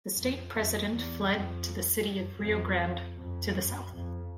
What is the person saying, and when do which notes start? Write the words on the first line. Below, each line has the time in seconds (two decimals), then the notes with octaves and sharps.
The state president fled to the city of Rio Grande, to the south.
0.14 F2
0.52 F2
0.90 E2
1.27 F2
2.04 F#2
2.41 F2
3.17 F2
3.55 F#2
3.93 F2